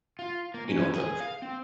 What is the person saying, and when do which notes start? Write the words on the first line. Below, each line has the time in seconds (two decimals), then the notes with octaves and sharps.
you know, the
0.19 F4
0.54 A#3
0.68 C#4
0.94 G#4
1.20 F5
1.42 C4